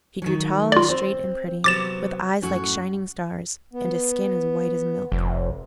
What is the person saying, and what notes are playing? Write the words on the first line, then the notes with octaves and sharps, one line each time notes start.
She grew tall and straight and pretty, with eyes like shining stars, and a skin as white as milk.
D#3 F#3
F4 D5
C4
C3 F#3 B3 D6 A6 E7
F#2 A2 F#4
B3
F1